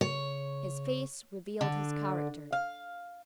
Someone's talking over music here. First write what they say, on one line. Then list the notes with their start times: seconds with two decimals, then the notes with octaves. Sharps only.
His face revealed his character.
0.01 C#3 C#5
1.61 D3
2.52 F5